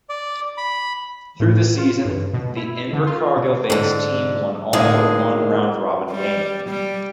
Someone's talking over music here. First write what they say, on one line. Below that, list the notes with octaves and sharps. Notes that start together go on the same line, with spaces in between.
Through the season, the Invercargill based team won all but one round robin game.
D5
B5
A2
F4
G2
B2
E4
D3
F4
B2
G#2 D3
A2 D3 D#3 G#3 A#3 G#4
G3
G3